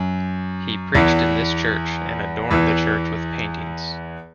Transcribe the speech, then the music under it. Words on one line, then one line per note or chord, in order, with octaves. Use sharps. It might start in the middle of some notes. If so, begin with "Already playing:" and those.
He preached in this Church and adorned the Church with paintings.
Already playing: F#2
E2 E3
E2 E3